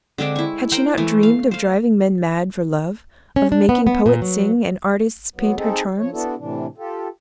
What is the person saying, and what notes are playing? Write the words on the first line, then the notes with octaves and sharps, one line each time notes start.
Had she not dreamed of driving men mad for love, of making poets sing, and artists paint her charms?
D3 G#3 C4 D4
E4 C#6
A#4 C5 G5
E3 A3
F5
C5 F5
C#4
D4
B3
B3
A#2
F#3
F#3 B3
C4 D#4 G#4 A4
F3 C#5
B3 D4 E4 F#4 A4
A2 C3 E3 D4
F4 G4 A4